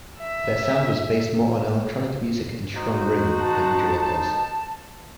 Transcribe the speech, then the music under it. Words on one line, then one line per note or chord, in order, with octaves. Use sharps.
Their sound was based more on electronic music and strong rhythm than Juluka's.
E5
D#4 F#4 C5
A5